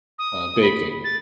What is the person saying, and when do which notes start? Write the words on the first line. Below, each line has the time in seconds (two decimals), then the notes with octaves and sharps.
uh, baking,
0.19 D#6
0.62 B5
1.04 A6